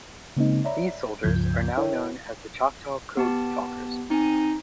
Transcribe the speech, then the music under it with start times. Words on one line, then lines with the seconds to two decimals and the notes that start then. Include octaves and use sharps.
These soldiers are now known as the Choctaw code talkers.
0.37 C#3 G#3 A#3 C4 D#4
0.64 C#5 D5 E5 A#5 B5
1.23 C#2 G2 C#3 F3 G6 G#6
1.78 E4 A#4 C#5 E5 G5
3.17 B3 G4 A5
4.10 C4 D#4 G#5